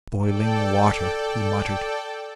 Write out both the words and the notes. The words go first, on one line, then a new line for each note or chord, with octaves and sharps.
"Boiling water!" he muttered.
A4 D5 G5